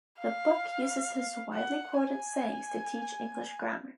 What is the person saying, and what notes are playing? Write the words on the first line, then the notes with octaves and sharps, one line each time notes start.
The book uses his widely quoted sayings to teach English grammar.
F5
F#5
G#5